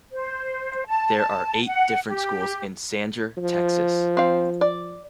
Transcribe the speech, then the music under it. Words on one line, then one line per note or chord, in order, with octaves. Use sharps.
There are eight different schools in Sanger, Texas.
C5
A5
F#5
G4
F3
C4 F5
D5